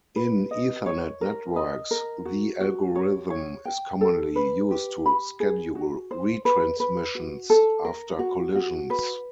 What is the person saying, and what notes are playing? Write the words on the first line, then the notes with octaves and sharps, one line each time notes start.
In Ethernet networks, the algorithm is commonly used to schedule retransmissions after collisions.
B4
D#5
C#5
A#4
D#5
A#4
F#4
F#4
C#5
C#5
G5
A4
B4
G4
B5
G#4
F#4
C5
B4
B4
F#4
A4
A#4
F#4
F#4
B4